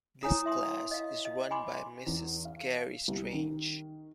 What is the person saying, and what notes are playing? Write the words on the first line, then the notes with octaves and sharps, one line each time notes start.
This class is run by Mrs. Cari Strange.
E4 C#5 G#5 A#5 D#6
E5 C6 D#6
D#5 F5
D#5
G#5 B5 C6 D6
E2
F5
C2
D#3